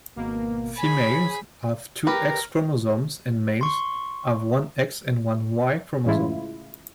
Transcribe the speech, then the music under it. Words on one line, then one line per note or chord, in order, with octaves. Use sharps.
Females have two X chromosomes and males have one X and one Y chromosome.
G#1 B2 A#3
G#4 C#5 G#5 B5
G4 A#4 B4
C6 C#6
A2 C#3 E3 G#3 E4 F4